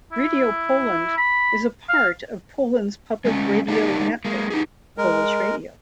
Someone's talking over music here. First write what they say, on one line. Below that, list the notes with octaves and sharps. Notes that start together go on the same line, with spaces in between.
Radio Poland is a part of Poland's public radio network - Polish Radio.
E4
B5
F5
G#3 A3 C#4
A#3 D4 D#4 G4 A#4
G#3 A#3
D#4 G4 G#4
G#3 A#4